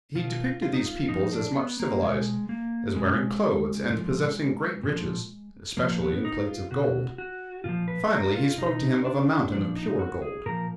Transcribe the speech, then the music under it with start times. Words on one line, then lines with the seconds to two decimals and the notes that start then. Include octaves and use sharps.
He depicted these people as much civilized, as wearing clothes, and possessing great riches, especially in plates of gold; finally, he spoke to him of a mountain of pure gold.
0.15 B2 F4
0.62 F4
0.73 D#4
0.85 F4
1.09 A#2 F3 D#4
1.33 D4
1.56 B3
1.80 A#3
2.02 B2 G#3
2.49 A#3
2.96 B2 G#3
3.90 A#2 F3
4.83 A#2 F3
5.77 A#2 F3 A#3
6.01 B3
6.25 D#4
6.47 F4
6.71 B2 F#4
7.18 F#4
7.64 A#2 F3 F4
7.88 B4
8.12 A#4
8.35 F4
8.57 B2 D#4
9.05 D4
9.52 A#2 F3 D4
9.76 D#4
9.99 F#4
10.22 G#4
10.46 A#2 F3 A#4